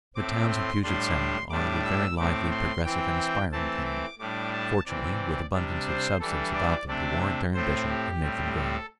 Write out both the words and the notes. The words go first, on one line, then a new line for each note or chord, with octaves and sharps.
The towns of Puget Sound are of a very lively, progressive, and aspiring kind, fortunately with abundance of substance about them to warrant their ambition and make them grow.
A2 A3 C4 D6
C6
A2 G3 D4 C6
A2 G3 D4 D6
E6
A2 A3 C4 D6
C6
E3 C4 G5
E3 A3 C4 A5
D6
A2 G3 D4 D6
A5
C3 E3 C4 D5
C3 G3 D4
C5
E3 G3 D4 A4
D5
C3 A3 D4 D5
A2 A3 C4 C5
G4
A2 G3 C4
A4